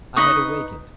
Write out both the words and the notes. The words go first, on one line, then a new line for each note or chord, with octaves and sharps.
I had awakened.
D#4 B4 C#6 D#6